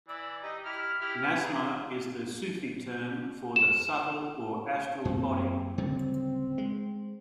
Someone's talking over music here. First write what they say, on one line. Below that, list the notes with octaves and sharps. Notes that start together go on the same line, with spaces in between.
Nasma is the Sufi term for the subtle or Astral Body.
E3 D5 E6
D#4 G4 D#5
E4 G4 F6
E4 G4 F6
B4
G#4 F#5 A#5
E7
F#2 A#3 C4
D1 C#3 G3 C4
G#3